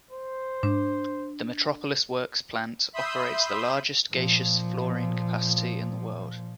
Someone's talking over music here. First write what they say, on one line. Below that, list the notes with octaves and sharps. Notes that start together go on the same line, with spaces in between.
The Metropolis Works Plant operates the largest gaseous fluorine capacity in the world.
C5
G#2 D4
E5 B5 C6 D#6 E6 G6
A#2 F3